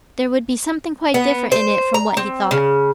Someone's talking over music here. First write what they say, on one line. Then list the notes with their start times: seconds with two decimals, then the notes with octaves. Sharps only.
There would be something quite different in it from what he thought.
1.14 B3
1.52 C5
1.94 A#5
2.17 C4
2.51 C#3